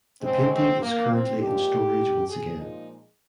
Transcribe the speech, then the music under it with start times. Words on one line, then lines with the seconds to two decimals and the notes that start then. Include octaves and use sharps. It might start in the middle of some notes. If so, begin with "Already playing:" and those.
The painting is currently in storage once again.
0.22 C#3 G#3 C4
0.51 C4
0.80 A#3
1.10 C4
1.39 A#2 F3 G#3 G4
2.27 G#4
2.56 A#2 F3 G#3 D#4